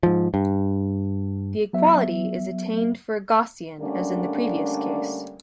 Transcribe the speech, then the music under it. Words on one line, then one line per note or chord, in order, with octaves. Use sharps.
The equality is attained for a Gaussian, as in the previous case.
G#2 F3
G2
F#3 B3 E5
D3 G3 A3 A#3 C#4 D4